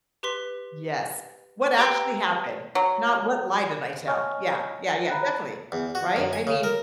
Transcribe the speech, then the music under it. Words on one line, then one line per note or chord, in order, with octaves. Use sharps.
Yes. "What actually happened?" Not, "What lie did I tell?" Yeah. Yeah, yeah. Definitely. Right? I mean
G4 B4 C6 B6
G4 B4 G5 A#5 C6 E6
F#3
C#5 D#5 G#5 C#6 F6
A#5 B5 F#6
E2
F#4
F#2
G#5
C#3
A#4